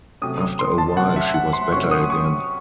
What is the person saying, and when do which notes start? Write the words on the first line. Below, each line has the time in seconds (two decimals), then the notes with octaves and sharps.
After a while she was better again.
0.22 C3 F#3 A3 C#4 D#6
0.40 D#6
0.59 C6
0.78 A5
0.97 C3 F#3 A3 C#4 F#5
1.16 E5
1.34 F#5
1.53 C6
1.72 C3 F#3 A3 C#4 C#6
1.91 D#6
2.10 C#6